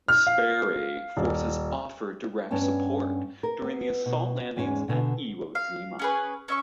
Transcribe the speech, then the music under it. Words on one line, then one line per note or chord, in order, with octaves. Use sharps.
"Sperry" forces offered direct support during the assault landings at Iwo Jima.
F6
F5
D#1
G2 B3 C#4 G5 A5
A#4
B3
B2
E2 G#2 G#3 C#4 G5 G#5
B2 D3 G#5
F5
C#4 G#4 B4
C#4 E5 C#6